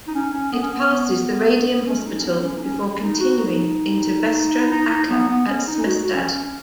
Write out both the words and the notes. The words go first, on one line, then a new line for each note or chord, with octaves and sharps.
It passes the Radium Hospital before continuing into Vestre Aker at Smestad.
D#4
C#4
C#4
B3
C#4
B3
B3
C#4
D#4
C#4
B3
C#4
D#4
C#4
D#4
F#4
D#4
D#4
D#4
B3
B3
C#4
D#4
F#4
F#4
C#4
C#4